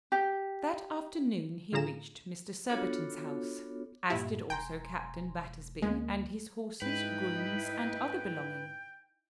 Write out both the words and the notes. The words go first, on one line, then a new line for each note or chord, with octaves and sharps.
That afternoon he reached Mr. Surbiton's house, as did also Captain Battersby, and his horses, grooms, and other belongings.
G4
A2 D3 F4 G#4 A#5 E7
B3 D4 F4 F#4 A4 C#5
G2 A#2 E4 G4
E1 G5 G#5 A#5 C6
D2 G#3 A#3
G#2 D#4 E4 B4 G5